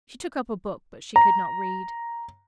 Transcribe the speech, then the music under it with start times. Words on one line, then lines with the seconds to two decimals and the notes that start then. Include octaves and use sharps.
She took up a book, but she could not read.
1.16 A#5